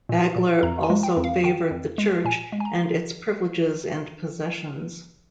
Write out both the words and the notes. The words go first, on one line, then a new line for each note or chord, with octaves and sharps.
Bagler also favoured the church and its privileges and possessions.
A#2
A#2
F2 A#5
G#5
G#3
G5
F2
F5
D#3 G5
F2
G#3
A#2 G#5
G#3
G#5
A#5